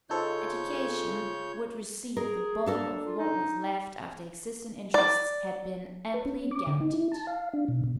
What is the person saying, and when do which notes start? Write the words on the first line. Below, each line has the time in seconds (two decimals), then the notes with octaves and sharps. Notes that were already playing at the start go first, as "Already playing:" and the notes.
Education would receive the bulk of what was left after existing interests had been amply guaranteed.
0.10 C#3 D#4 F4 A4 C5 C#5 G6
2.17 G#4 A#4
2.66 A#3 D4 A4 A#4
3.04 F4
3.19 D#4
4.94 D5
6.14 B4
6.25 C#4
6.51 D6
6.67 D3
6.81 D#4
6.93 E4
7.12 A5
7.27 F5
7.53 D4
7.68 B2
7.84 B2